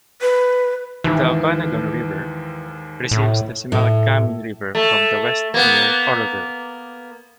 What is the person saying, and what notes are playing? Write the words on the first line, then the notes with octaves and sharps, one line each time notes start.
The Okanogan River receives the Similkameen River from the west near Oroville.
B4
D#2 G#2 E3
A2
A2
A3
A#3 B3